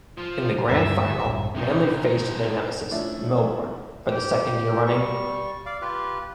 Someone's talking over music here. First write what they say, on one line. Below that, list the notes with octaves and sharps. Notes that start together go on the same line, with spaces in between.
In the Grand Final, Manly faced their nemesis Melbourne for the second year running.
F3
D2 G2 D3 E5
D1 A#1 G2
A2 C3 D#4
F3 A3 C#4 D4 E4
G4 G5
G3 C#6
D5 F5
F4 G4 B4